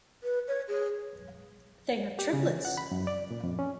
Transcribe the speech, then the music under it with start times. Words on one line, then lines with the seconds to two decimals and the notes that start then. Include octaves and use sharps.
They have triplets.
0.23 B4
0.48 C#5
0.68 G#4
2.19 G4
2.33 C#3
2.47 E3
2.65 F#5
2.77 B5
2.91 F#2
3.07 D5
3.31 A#2
3.43 F2
3.59 C#4